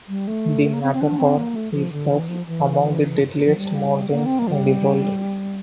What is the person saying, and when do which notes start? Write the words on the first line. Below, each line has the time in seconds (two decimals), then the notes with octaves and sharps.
The Matterhorn is thus amongst the deadliest mountains in the world.
0.08 G3
0.27 A3
0.74 A#3
0.83 C4
0.93 C4
1.01 D4
1.19 C4
1.37 A#3
1.56 A3
1.73 F3
1.92 D3
2.11 E3
2.29 F3
2.47 E3
3.45 F3
3.57 G3
4.12 A#3
4.26 C4
4.39 A#3
4.47 F3
4.53 G3